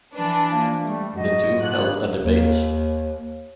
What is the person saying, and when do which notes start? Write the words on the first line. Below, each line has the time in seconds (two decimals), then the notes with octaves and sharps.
The two held a debate.
0.14 E3 D4 B4
0.49 F3 A#3
0.82 G3 A3
1.16 F#2 F#4 D#5
1.61 F3 A#3 B3 F#6
2.23 D#2